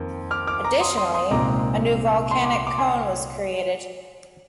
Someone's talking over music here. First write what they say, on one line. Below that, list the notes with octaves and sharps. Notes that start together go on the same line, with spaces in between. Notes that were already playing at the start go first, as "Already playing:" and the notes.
Additionally a new volcanic cone was created.
Already playing: F2 D#3 A#3
D6 F6
D6 F6
A#5 D6
C6 D#6
C6 D#6
C6 D#6
C2 A#2 G#3 C4 D#4 A#5 D6
C6
D6
C6
D6
G#5 C6